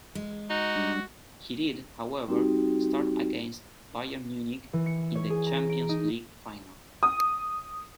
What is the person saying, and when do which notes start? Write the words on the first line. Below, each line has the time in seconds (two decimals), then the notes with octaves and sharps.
He did, however, start against Bayern Munich in the Champions League final.
0.15 G#3
0.50 D#4 F#4
0.75 G3 D4
2.28 G3 C4 D#4 F#4 G4
4.73 E3
4.86 C#7
5.15 C#5
5.30 G#4
5.47 A#5
5.70 D7
5.89 D#4
7.03 D#6